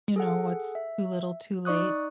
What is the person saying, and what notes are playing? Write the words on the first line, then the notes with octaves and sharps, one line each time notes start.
You know, what's too little too late,
G#4 A4 F#5
E5
D#4 D5 C#6 D#6 F#6